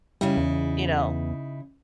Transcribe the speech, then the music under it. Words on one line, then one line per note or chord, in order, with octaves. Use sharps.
You know?
C#3 G3 D#4 E4
E2